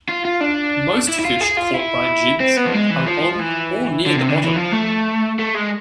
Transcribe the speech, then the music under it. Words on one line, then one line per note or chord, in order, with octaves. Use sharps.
Most fish caught by jigs are on or near the bottom.
F4
F4
D4
E4
E4
F4
G#4
F4
E4
C4
B3
F3
G#3
E3
F3
E3
D3
C3
D3
E3
F3
A3
A3
G#3